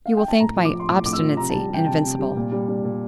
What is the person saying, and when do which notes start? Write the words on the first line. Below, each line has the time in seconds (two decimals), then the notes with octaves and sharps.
You will think my obstinacy invincible.
0.06 F5
0.17 G5
0.28 A5
0.40 A2 A#5
0.56 F3
0.65 D6
0.73 F3
0.80 C6
0.89 A2 D6
1.05 A2 D6
1.13 E6
1.21 F3
1.37 C3 A#5
1.50 G3 A5
1.70 G3 G5
1.87 C3 A5
2.03 C3
2.19 G3
2.36 A#2
2.52 G3
2.68 G3
2.84 A#2